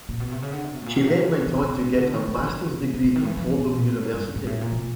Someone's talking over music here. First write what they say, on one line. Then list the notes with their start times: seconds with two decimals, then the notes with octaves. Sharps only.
She then went on to get her Master’s degree from Fordham University.
0.09 A#2
0.20 B2
0.32 C3
0.42 C#3
0.53 D3
0.64 C3
0.75 B2
0.82 A2
0.86 A#2
0.96 B2
1.07 C3
1.18 C#3
1.29 C3
1.40 C3
1.47 C#3
1.55 C3
1.63 C#3
1.70 C3
1.94 C#3
1.98 D3
2.14 D#3
2.28 E3
2.39 E3
2.49 E3
2.60 D#3
2.72 D3
2.82 C#3
2.94 C#3
3.04 C#3
3.16 D#3
3.26 E3
3.37 F3
3.48 E3
3.58 B2
3.73 A#2
3.88 A2
4.04 F#2
4.14 G2
4.35 G#2
4.47 A2
4.61 A#2
4.72 C3
4.75 B2